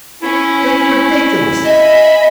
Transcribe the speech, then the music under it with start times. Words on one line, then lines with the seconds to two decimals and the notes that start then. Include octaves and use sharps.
That's ridiculous.
0.22 C#4 E4
1.65 D#5 E5 G#5 B5